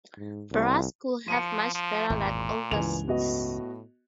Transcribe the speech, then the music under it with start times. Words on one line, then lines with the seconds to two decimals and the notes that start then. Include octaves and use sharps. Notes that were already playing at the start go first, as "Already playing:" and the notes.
Brask would have much better luck overseas.
0.18 G#2
0.51 C2
1.28 F3 C#7 D#7
1.75 F3
2.10 G#1 E2 A#2
2.71 C#2 G2 E3 G#5 F7
3.08 A2 B3 F#4 D#5